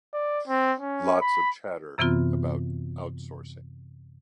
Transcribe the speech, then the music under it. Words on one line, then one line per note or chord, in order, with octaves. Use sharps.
Lots of chatter about outsourcing.
D5
C4
C#4
B5
F#2 C3 E3 B3 C4 F4